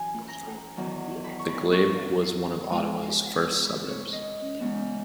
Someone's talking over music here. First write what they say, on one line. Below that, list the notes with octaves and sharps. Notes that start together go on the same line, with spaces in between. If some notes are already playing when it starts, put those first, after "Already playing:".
The Glebe was one of Ottawa's first suburbs.
Already playing: F#2 E3 G#5
A#5
E2 D#3 F#3
B5
C#6
B5
C#6
C#3 G#3 B3
B5
C#5
D#5
E2 C#3 G#3 B3